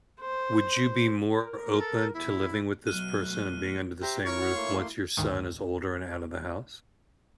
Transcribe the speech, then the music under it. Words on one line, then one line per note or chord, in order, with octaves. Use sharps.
Would you be more open to living with this person and being under the same roof once your son is older and out of the house?
C5
A#4
A4
E2 E4
B2 F#3 A3 F6 F#6 D#7
G4 C5 E5 A#5
E4 A#4 C#5
F#5 F6
A3 A#3 C6
D2 G#2 D#3